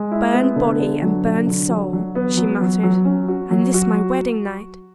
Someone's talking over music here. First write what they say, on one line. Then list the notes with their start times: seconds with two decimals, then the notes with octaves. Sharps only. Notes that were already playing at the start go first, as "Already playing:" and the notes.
"Burned body and burned soul," she muttered, "and this my wedding night!"
Already playing: G#3
0.11 E4
0.33 B3
0.56 D3
0.79 D3
1.02 F#3
1.24 D3
1.47 D3
1.69 F#3
1.93 F#3
2.15 B3
2.37 F#3
2.61 F#3
2.83 F#3
3.05 C#4
3.28 F#4
3.51 F#3
3.74 F#4